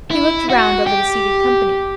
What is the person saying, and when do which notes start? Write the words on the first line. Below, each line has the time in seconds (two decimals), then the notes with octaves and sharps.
He looked round over the seated company.
0.11 E4
0.50 F#4
0.87 G4